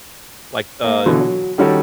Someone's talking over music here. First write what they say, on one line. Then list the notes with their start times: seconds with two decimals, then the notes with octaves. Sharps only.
like, a
0.84 A#3
1.06 B2 D3 E3 F#3
1.20 F#3
1.58 D#3 G3 C#4 F#4 A4